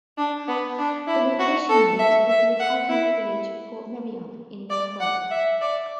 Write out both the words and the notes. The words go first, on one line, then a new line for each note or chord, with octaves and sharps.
The location used was the Italianate village of Portmeirion in North Wales.
D4
B3
D4
E4
F#4
A4
E5
E5
F#5
E4
D5
F#5
E5
D5